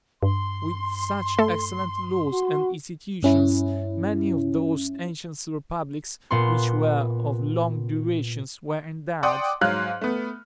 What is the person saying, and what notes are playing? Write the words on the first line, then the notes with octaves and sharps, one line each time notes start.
With such excellent laws and institutions, many of those ancient republics, which were of long duration, were endowed.
G2 C6
A3 A4
F#4
G2 C#4 E4
A#2 B3 C6
D5 F#5 G5 C6 D6 D#6
G#2 F#3 F5 F6 F#6
A3 B3